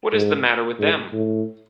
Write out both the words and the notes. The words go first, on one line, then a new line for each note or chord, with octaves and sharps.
What is the matter with them?
G#2
G#2
A2